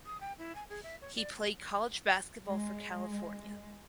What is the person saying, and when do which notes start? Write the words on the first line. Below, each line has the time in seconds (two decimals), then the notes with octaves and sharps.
He played college basketball for California.
0.05 D#6
0.20 G5
0.38 E4
0.55 G#5
0.69 G#4
0.83 E5
1.01 C#5
1.15 D5
2.46 G#3